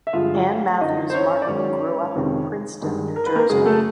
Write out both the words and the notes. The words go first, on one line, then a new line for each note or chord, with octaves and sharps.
Ann Matthews Martin grew up in Princeton, New Jersey.
E5
G2 D3 F3 G#3 F4 F5
F#2 D3 F3 D#4 D#5
C5
C#4 C#5
D5
G#2 D#3 F#3 C#4 C#5
F2 C3 D#3 G#3
G2 D#3 G#3
A#4
B4
A#3 A#4
F#2 C#3 F#3 G#3 G#4
A3 A4